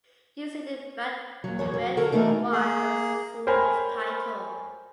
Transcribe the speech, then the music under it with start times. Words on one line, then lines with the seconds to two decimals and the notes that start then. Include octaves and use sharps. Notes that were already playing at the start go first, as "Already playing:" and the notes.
Useeded Brad Drewett won the singles title.
1.44 D#2 F#3
1.59 E2 B3 C#5
1.74 F#3
1.97 D3 F#4 A4 A#4
2.12 E3 F3 A3 B3 D#4 A#4
2.52 A#3 G#4
3.47 A#4 C5 C#5 G5 G#5 B5